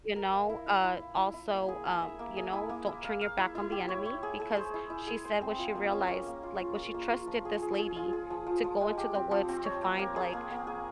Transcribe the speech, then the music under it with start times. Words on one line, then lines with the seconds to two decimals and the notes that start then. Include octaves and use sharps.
You know? Uh, also, um, you know, don't turn your back on the enemy, because she said when she realized, like, when she trusted this lady to go into the woods to find, like,
0.16 A#4
0.33 F5
0.49 E4
0.66 E4
0.84 E4
1.00 F5
1.17 E4
1.34 E4
1.52 A#3
1.68 G#4
1.85 G#4
2.02 E5
2.19 A#3
2.37 G#4
2.53 E4
2.69 A#3
2.87 E4
3.04 F5
3.21 F5
3.37 E4
3.55 E4
3.72 G4
3.89 C#5
4.05 C#5
4.23 G#4
4.40 G#4
4.57 C5
4.74 E4
4.90 E4
5.07 G#4
5.25 C5
5.42 C4
5.59 F4
5.75 A#3
5.93 C#4
6.09 A#3
6.26 A#3
6.43 F4
6.60 F4
6.77 F4
6.94 A#3
7.11 F4
7.27 F3
7.45 G#4
7.62 G#4
7.79 G#4
7.96 F4
8.13 G#4
8.30 F3
8.47 F3
8.64 F3
8.81 G#3
8.98 G4
9.15 C4
9.31 F3
9.49 C4
9.65 C#5
9.83 A#3
9.99 A#3
10.16 G#4
10.33 A#3
10.50 A#3
10.67 G#4